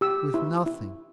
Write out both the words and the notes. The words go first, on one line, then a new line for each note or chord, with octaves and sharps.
"With nothing."
G4 E6
E4
E4